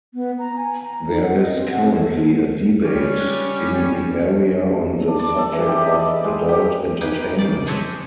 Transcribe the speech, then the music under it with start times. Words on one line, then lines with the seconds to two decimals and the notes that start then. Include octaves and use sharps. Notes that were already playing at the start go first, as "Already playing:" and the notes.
There is currently a debate in the area on the subject of "adult entertainment".
0.14 B3
0.39 A#5
0.57 G#5
0.81 A#5
1.09 D#4
1.22 F#5
1.39 D#5
1.55 C4
1.71 F#5
1.96 A4
2.84 G3 C#4
5.07 D4
5.19 D5
5.38 A4
5.52 E3
5.66 G4
5.82 D#5
5.99 D5
6.24 G#3
6.49 G4
7.01 D#4 G4 G#4 B4
7.38 F2 D5
7.66 G#3 D4 C5 C#5 D#5 E5